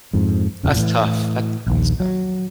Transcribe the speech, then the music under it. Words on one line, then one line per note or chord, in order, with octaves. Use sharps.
That's tough. That sounds tough.
F2 G#2
D#1 F2 C#3 F3
A2 E3
A#1 D#2
F#3